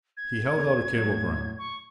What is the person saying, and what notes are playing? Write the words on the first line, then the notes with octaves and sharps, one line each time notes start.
He held out a cablegram.
G#6
E2 A#4 C#5
A2 F#3
C#6